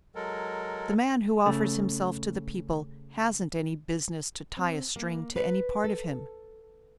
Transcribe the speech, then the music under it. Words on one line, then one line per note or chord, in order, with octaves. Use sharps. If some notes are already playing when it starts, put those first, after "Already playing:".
The man who offers himself to the people hasn't any business to tie a string to any part of him.
F#3 G#3 A4 A#4
C#3 A3
C4
A#3
B4
A4